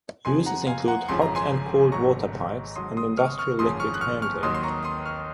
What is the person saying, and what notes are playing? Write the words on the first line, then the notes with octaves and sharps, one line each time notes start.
Uses include hot and cold water pipes, and industrial liquid handling.
F2 C3 F3 G#5 C6
F#5 A#5
F5 G#5
F#5 A#5
G#1 F#2 C#3 F3 C6
A#5
G#5 C6
G#1 G#2 F#3 A#5 C#6
G#1 G#2 F#3 C6 D#6
C6 D#6
C#6 F6
C#6 F6
G#1 F#2 C#3 F3 C6 D#6
C#6 F6
F#6
C#6 F6
C#6 F6
D#2 D#3 F#3 C6 D#6
C6
A#5 C#6
C6 D#6
C#6 F6